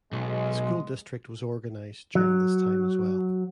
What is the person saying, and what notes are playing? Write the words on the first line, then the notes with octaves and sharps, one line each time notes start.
The school district was organized during this time as well.
B1 G#3
F#3